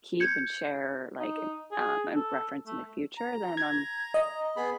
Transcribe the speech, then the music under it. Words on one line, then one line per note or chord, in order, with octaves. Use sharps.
keep and share, like, uh, and reference in the future, then, um,
G6 G#6 C#7
D#4
G#4
A4
A3
A#5
G#6
D#5
B3 G#4 B5